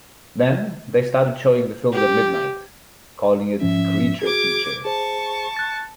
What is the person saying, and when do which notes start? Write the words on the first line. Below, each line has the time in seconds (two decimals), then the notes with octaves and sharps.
Then, they started showing the films at midnight, calling it "Creature Feature".
1.93 G4
3.61 G#2 F3 C#4 E5
4.22 F#4 G#4 D6 G#6
4.85 G#4 C5 A5 C#6
5.56 F#6 A6